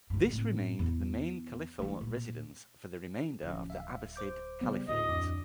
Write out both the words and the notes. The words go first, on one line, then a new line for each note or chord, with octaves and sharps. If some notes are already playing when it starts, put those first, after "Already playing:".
This remained the main caliphal residence for the remainder of the Abbasid Caliphate.
F#1 G2
A2 C4
E2
E3 A3
A#2
D1 D3 F3 C#4
E5 F5
C5 D6 G6
C#3 G3 B3
D2 A2 D#5
F2 D4 D6